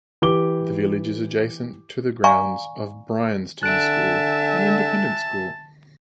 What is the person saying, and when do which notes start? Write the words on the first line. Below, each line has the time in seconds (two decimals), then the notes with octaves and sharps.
The village is adjacent to the grounds of Bryanston School, an independent school.
0.22 E3 G4 D6 G7
2.24 D5 F5 G#5 A#5 C#6
3.63 D3 E5 G#5 A5 F#6 D7